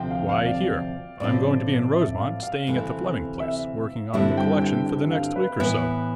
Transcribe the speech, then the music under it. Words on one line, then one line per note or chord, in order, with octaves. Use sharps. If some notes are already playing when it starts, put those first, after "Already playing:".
Why, here; I'm going to be in Rosemont, staying at the Fleming place, working on the collection, for the next week or so.
Already playing: D2 C3 F3 G5
F5
F5
D5
A2 F3 C4 F4 D5
E5
F5
F5
D2 C3 E3 A3
E5
G2 D3 G3 C4 E4 E5
G5
G5
G5
F5
B4
A2 E3 B3 E4 B4